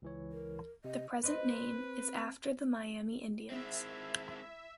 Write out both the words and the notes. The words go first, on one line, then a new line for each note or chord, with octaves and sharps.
The present name is after the Miami Indians.
C#2 E3 C#5
A#4
C3 D#5
C4 B4 D#5
G#3 C4 E4 E5